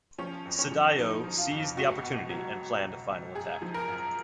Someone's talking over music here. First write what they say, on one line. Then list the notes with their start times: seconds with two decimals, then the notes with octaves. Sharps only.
Sadayo seized the opportunity and planned a final attack.
0.18 F3 C#4
0.45 F2
0.59 C#4
0.72 F3
0.98 F3 D#4
1.24 F3
1.38 F4
1.50 F2
1.77 C#2 F#4
2.03 B2
2.29 F#3
2.56 C#2
2.83 C#2
3.09 C#2
3.35 F#2 G#4
3.62 F3
3.74 A#4
3.88 F#2